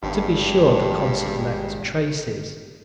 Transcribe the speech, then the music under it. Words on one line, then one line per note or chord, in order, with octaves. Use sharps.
To be sure, the concert left traces.
G#1 G2